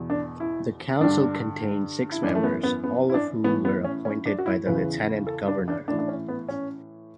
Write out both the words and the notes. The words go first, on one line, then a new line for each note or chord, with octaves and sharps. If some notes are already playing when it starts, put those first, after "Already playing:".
The council contained six members, all of whom were appointed by the Lieutenant-Governor.
Already playing: E2 B2
D4
E4
G2 D3 D4
E4
F#2 E3 D4
A3
B3
B3
B3
E4
D4
A2 E3 B3
B3
C#4
C#4
D4
F#4
E4
E2 C#3 E3 B4
A4
D4
D4
A2 E3 D4
D4
C#4
B3
C#4